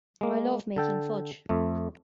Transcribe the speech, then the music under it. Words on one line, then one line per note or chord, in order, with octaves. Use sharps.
I love making fudge.
G#3 A#3
D3 A4 G5
F2 A3